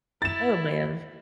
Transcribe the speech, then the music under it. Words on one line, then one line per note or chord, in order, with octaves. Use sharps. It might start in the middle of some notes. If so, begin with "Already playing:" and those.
Oh, man.
E4 A6 E7